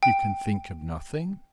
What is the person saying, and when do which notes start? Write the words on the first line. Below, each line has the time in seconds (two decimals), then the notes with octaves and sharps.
You can think of nothing?
0.03 G5